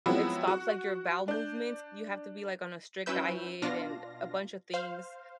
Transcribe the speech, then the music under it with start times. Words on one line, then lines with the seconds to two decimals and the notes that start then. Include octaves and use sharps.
It stops like your bowel movements. You have to be like on a strict diet and a bunch of things,
0.06 F3 F#3 G#3 B3 C4 E4
0.47 F#4
1.28 D4 G6
3.06 F#3 C#4 E4 B4 E6 G6
3.62 B2 D4 F4 F5 A#6
4.74 C5 F5